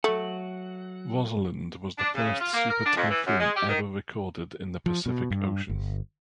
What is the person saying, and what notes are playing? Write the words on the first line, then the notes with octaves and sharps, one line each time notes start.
Rosalind was the first super typhoon ever recorded in the Pacific Ocean.
F#3 A3 F#5
D4
C#3
F4
A#3
A#4
D4
F2
E3
F#2
G#3
G4
D#3
F3
B2
G2
G1